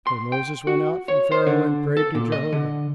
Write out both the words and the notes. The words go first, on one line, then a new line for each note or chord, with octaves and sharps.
So Moses went out from Pharaoh and prayed to Jehovah.
C6
G5
F#4
C#5
C5
D3
A4
A#2
D#5
D3